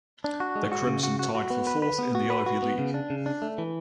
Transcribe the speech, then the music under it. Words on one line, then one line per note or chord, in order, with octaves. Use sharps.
The Crimson tied for fourth in the Ivy League.
D4
F#4
G#3
F#4
C#3
F#4
F#4
F#4
B3
B4
B4
B3
F#4
B4
F#4
B3
C#3
D4
C#3
D4
A3
E3